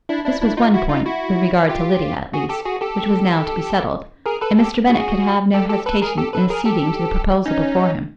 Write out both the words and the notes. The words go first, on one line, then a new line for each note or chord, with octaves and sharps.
This was one point, with regard to Lydia, at least, which was now to be settled, and Mr. Bennet could have no hesitation in acceding to the proposal before him.
D4 E4
D4 E4
D4 E4
D#4 F4
E4 F#4
D#4 F4
E4 F#4
F4 G4
F#4 G#4
G4 A4
F#4 G#4
G4 A4
G#4 A#4
A4 B4
G4 A4
F#4 G#4
G4 A4
G4 A4
A4 B4
G#4 A#4
G4 A4
A4 B4
G#4 A#4
G4 A4
C#4 D#4